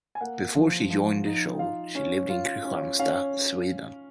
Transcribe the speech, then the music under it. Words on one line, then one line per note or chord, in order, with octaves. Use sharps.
Before she joined the show she lived in Kristianstad, Sweden.
G#5
A#3 F#5
F3
F3
D#4
F4 F5
C#4
F4
C#4
C#4 F5